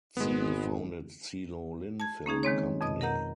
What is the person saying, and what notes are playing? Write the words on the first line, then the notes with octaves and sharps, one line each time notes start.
Tsi founded Tsi Lo Lin Film Company.
G#1 G#3 B3
A5 G#6
A#3 C#4 D#4 G#4
D#3 G#3 C4 C#5
F2 B2 D#5 D#6
A#4 D#5 F#5 A#5 G6